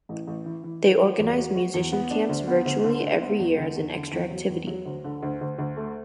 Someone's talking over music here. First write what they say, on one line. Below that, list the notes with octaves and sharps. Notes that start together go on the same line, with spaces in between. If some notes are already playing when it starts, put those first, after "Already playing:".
They organize musician camps virtually every year as an extra activity.
A1
A1
E3
E3
E3
F#4
E2
F#4
F#4
E2
B3
D4
D2
B3
D2
D3
D2
B3
E2
D3
E2
D3
E2
F#3
E2
F#3
D2
D3
D2
D2
D2
A3